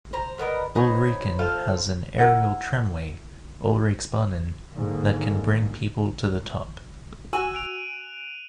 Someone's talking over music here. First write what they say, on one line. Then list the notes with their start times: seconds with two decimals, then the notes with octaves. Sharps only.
Ulriken has an aerial tramway, Ulriksbanen, that can bring people to the top.
0.13 C5 A#5
0.38 G3 B3 A#4 D#5
0.75 B3 D#4 C5 C#5
1.39 F4 A4 C5 F5
2.18 E4 A#4 F#5
4.74 G#2 D3 D#3 A#3
7.33 F#4 G#5 E6 D#7 E7 F#7
7.53 F#6 D7 F7